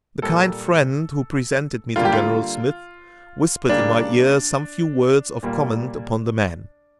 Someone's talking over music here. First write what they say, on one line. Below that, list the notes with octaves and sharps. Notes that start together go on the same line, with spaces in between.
The kind friend who presented me to General Smith whispered in my ear some few words of comment upon the man.
A#2 G3 A#3 A4
D3 G3 A#3 F4
G4
F4
C#3 G3 A#3 D4
A#2 G3 A#3